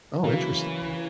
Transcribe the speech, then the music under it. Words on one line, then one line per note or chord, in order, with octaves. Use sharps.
Oh, interesting.
C#3 E3 F#3 A#3